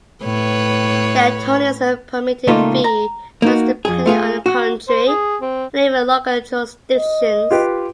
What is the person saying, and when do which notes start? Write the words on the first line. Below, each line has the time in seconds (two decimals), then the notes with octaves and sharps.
The attorney's permitted fee varies depending on the country, and even local jurisdictions.
0.24 A2 B4 C#5
2.47 C#2 A#2 A3 A#3 D#4 F4
2.84 A#5
3.42 A#3 D#4 F#4
3.85 F2 G#4
4.06 A3 F4 G#4
4.46 F#4
4.89 C5
5.08 G#4
5.42 C4
6.97 D#5
7.51 F4 G4 B4